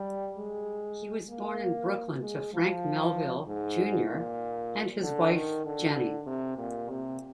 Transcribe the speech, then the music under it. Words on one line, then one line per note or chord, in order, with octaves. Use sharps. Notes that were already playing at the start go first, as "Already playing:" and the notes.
He was born in Brooklyn to Frank Melville, Junior and his wife, Jennie.
Already playing: G3
G#3
A#3
G#3
F3
G#2
A#2
D3
D#3
D3
C3
A#2
C3